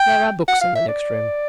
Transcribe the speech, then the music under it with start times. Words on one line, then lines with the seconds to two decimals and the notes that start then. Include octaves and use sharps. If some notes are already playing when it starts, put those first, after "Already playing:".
There are books in the next room.
Already playing: G5
0.48 F#5
0.61 F5
0.75 E5
0.88 D5